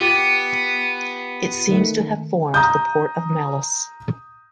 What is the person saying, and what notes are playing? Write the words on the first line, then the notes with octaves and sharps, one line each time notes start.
It seems to have formed the port of Mallus.
B3 F4 G4 A6
D#3 A3
A#5 D#6 G6